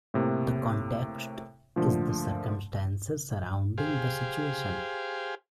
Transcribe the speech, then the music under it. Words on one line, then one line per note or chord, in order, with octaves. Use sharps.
The context is the circumstances surrounding the situation.
A2 C3 A#3
A#2 D3 F3 A3
G4 G#4 C5 F5